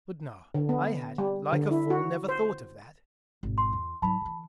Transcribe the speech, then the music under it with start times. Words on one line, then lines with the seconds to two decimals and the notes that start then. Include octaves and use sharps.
But no! I had, like a fool, never thought of that!
0.54 D3
0.69 B3
1.18 G3
1.52 D3
1.71 E4
1.90 F#4
2.29 C5
3.43 G#1 B2
3.58 C6
3.73 E2
4.02 G#2 F#3 A5 B5
4.21 D3 E3